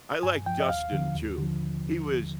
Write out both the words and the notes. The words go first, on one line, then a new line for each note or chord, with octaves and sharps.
I like Dustin too. He was
G2 G#5
F3 G5
D#5
D#2 F5
D3 F3
D#2
D3 F3